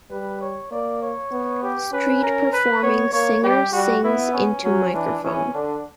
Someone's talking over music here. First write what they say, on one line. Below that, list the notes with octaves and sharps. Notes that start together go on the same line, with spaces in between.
Street performing singer sings into microphone.
G3 B4
C#5
A#3 D5
C#5
B3
G4
C#4 B4
A#4
B4
B3 C#5
A#3 C#5
G3 G4
G3 F#4
B3 E4
C#4
F#3 C#4
E3 D4
E3 C#4
D3 D4